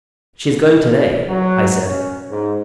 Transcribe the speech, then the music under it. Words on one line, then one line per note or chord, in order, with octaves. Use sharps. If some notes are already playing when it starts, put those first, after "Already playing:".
"She's going to-day!" I said.
F#3
C#4
G#2